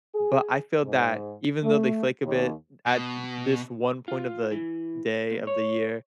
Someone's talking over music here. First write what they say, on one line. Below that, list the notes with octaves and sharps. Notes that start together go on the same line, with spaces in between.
but, I feel that even though they flake a bit at u this one point of, like, day of the year,
G#4
G#2
A3
D#2
B2
F4
E3
A#2
C#5